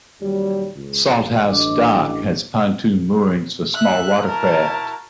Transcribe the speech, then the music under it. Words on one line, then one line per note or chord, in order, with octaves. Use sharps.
Salthouse Dock has pontoon moorings for small watercraft.
D#2 F#3 G3
C#2
A1
D4 D#5 D6
E5 F#6
E4 F#4 A#4 A5